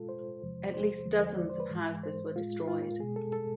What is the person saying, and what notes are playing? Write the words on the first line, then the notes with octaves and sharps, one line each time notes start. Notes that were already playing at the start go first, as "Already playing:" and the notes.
At least dozens of houses were destroyed.
Already playing: B2 G#3 F4 A4
C5
E2 C3 F3 G#3
C5
E2 D3 F3 G#3
D5
C5
B4
G#2 E3 G#3
C5
A2 G#3 F4
F4
B2 G#3 G#4
A4
A4